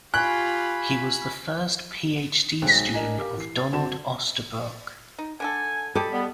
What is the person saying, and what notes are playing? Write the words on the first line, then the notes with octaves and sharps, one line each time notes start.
He was the first Ph.D. student of Donald Osterbrock.
F4 G4 G#5 B5 C#6 F#6 G#6
B1 G#3 D#4 C5 G5 F#6
D4 A#4 D#5 G#5 A#5
G4 A#4 F5
E3 C7
A6
F#1 C4 F#4 A5 E7
D#4
D3 D4 A4 G#5
G4 A4 D5 D#5 B5
G3 B3